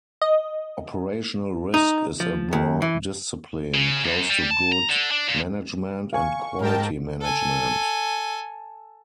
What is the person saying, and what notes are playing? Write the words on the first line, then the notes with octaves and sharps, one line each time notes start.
Operational risk is a broad discipline, close to good management and quality management.
D#5
D#4
F3
D#2
E3
C#3
F#2
G3
A5
A#5
D3
D4
A#2
F5 G#5 C#6
G#2 A#4 G5 A5
A4 G#5